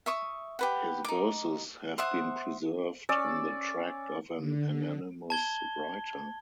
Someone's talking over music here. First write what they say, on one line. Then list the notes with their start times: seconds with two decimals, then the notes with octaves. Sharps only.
His verses have been preserved in the tract of an anonymous writer.
0.06 E5 C#6 D#6
0.59 G4 B4 F#5
1.04 D#4 D6
1.98 C5 E5 F#5 D#6
3.09 C#4 D5 E6
4.38 D3
5.30 A5 G#6 G7